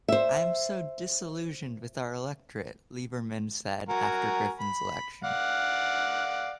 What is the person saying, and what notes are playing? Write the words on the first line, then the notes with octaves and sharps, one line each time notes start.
"I am so disillusioned with our electorate," Lieberman said after Griffin's election.
C5 E5
F#4 A#4 G#5
B5
D5 F5 F#5